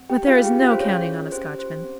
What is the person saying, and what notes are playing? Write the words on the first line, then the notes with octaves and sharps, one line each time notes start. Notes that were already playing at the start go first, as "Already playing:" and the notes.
But there is no counting on a Scotchman.
Already playing: C4
G4 G5
C#4 F4 G#4 F5
G4 G5
F4 F5
C5
C#4 F4 G#4 C#5
C#4 G4 C5
C5
C4